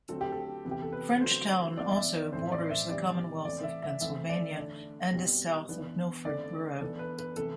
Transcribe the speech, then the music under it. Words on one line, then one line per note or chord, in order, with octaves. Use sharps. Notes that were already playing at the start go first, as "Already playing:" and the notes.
Frenchtown also borders the Commonwealth of Pennsylvania and is south of Milford borough.
D3 F#3 A3 C4 A4
G4
A4
C3 E3 B3
G4
A4
B4
D3 F#3 A3 C4 C5
E3 B3 D4 D5
D5
E5
D5
A2 E3 A3 C4 C5
D5
E5
C3 E3 G3 B3 D4 D5
E3 A3 C4 D5
E5
E5
E3 A3 C4 E5
D5
D3 A3 D4
B2 G3 C4
E3 B3 D4
D3 A3 C4 D5
E3 B3 D4 A4
B4
B4
C3 E3 A3 A4